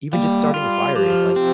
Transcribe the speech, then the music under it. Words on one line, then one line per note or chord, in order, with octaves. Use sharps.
even just starting a fire is, like,
G3 A#3
F4
F3 G4
C4